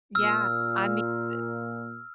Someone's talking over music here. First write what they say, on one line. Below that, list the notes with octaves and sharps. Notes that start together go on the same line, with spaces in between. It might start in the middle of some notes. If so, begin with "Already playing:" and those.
Yeah, I mean uh
A#2 E6 F6